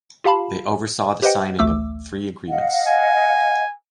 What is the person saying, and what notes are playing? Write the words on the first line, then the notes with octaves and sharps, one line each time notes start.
They oversaw the signing of three agreements.
F4 G4 F5 A5 B5
G4 B4 C5 D#5 F#5 G5
A1 D2 A3 D6 E6
D#5 F5 F#5
G#5